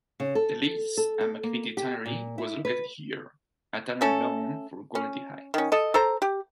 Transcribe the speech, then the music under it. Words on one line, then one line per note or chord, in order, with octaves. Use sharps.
The Leas and McVitty Tannery was located here, a tannery known for quality hides.
C#3
A4
A4
A4
A#3
G4
A#2
E4
B4
A3 C#4 A4
C#4
D#3 C#4
A4 D#5
A4 C5 A#5
G4